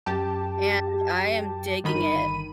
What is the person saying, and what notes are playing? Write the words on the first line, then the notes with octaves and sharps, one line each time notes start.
and I am digging it;
F#2 G4 A5
G1 D#3 B5 D#7